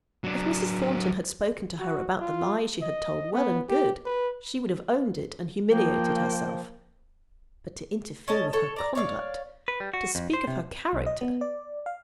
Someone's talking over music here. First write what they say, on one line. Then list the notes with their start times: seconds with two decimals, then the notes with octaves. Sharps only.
If Mrs. Thornton had spoken to her about the lie she had told, well and good--she would have owned it, and humiliated herself. But to interfere with her conduct--to speak of her character!
0.24 F#3 D4
1.80 F#4
2.20 F4
2.82 D#5
3.33 B3
3.69 G4
4.05 B4
5.70 F3 A#3 G5
8.28 C#4 D#5 A5
8.53 A4 C#5
8.76 D5 A#5
8.95 C#5 D5 E5 F5
9.68 B4
9.80 G3
9.94 F#4
10.15 F2
10.34 C5
10.47 C3
10.93 B1
11.06 D#5
11.21 B3
11.41 D5
11.86 F5